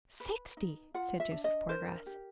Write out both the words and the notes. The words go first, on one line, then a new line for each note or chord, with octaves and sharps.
"Sixty!" said Joseph Poorgrass.
B4
D#4
F4 F#5
E5
D4
D#5
A#4 C5
G4